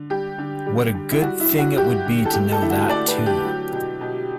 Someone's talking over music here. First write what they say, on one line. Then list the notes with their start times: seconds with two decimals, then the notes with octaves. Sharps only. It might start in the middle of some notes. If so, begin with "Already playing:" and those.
What a good thing it would be to know that too!
Already playing: D3
0.10 G3 G4
0.38 D3
0.66 G3
0.94 D3
1.11 E4
1.22 G3 F#4
1.40 E4
1.50 D3
1.59 F#4
1.77 G3 G4
2.06 D3
2.25 A4
2.33 A3 G4
2.52 A4
2.61 D3 E4
2.70 F#4
2.89 A3 D5
3.08 B4
3.17 D3
3.26 G4
3.45 F#3
3.72 B2
4.01 B2